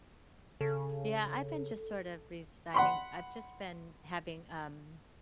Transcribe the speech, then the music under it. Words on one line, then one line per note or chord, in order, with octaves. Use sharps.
Yeah, I've been just, sort of, resigning I've just been having, um
C#3 A4
F#5 B5 C6